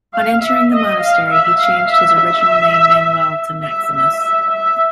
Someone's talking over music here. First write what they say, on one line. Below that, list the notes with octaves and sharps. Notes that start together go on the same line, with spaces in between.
On entering the monastery he changed his original name Manuel to Maximus.
F5
E5
D#5
F5
E5
F5
E5
E5
E5
E5
E5
E5